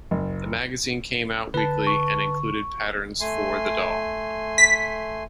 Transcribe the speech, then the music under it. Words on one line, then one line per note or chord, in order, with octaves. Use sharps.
The magazine came out weekly and included patterns for the doll.
F#1
D3 B4 A5
C#6
A3 G#5 C6
B6